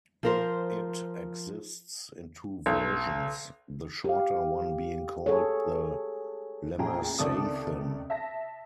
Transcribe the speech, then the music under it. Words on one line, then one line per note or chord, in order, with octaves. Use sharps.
It exists in two versions, the shorter one being called the "Lammasathen".
F3 A#4 C5
B1
G4 F5
G#4 A4 C#5
A1 A#2 A3 G#4 G5 A#5
C#2 C3 D#3 A4 D5 D#6
E5 A5 A#6